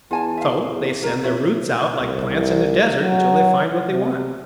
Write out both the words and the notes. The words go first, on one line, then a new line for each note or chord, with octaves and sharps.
So they send their roots out, like plants in a desert, until they find what they want.
E2 F4 G#5 A5
E5 F5
E2
F1 A#4 A#5
F2 E4 C#5 E5
C2
F#3
C3